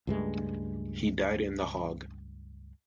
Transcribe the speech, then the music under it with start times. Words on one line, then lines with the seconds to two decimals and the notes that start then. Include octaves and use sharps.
He died in The Hague.
0.07 C#2 G2 G#3 A3